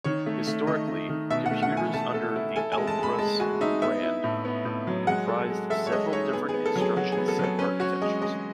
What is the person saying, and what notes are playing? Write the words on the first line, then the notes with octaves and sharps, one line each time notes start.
Historically, computers under the "Elbrus" brand comprised several different instruction set architectures.
D#3 C#5
A3
A3
D#3 D#5
A3
D#3
B2 E5
F#5
A3
F#5
E4
G#5
A3 A5
A4
E4
A4 G#5
G#5
G#3
A5
G#3 B5
G#3 A5
F#4 G#5
D#4 E5
B3 E5
E4
A2
B3
A2
F#3
G#3 F#5
A4
G#3
A4 E5
C#5
G#3 D#5
D#4 C#5
B3 G#4
G#4
B3
A4
F#3
G#4
F#3 F#4
G#4
B3
A4
F#3 A4
C#4 B4
F#4 C#5
G#3 D#5
G#3 D#5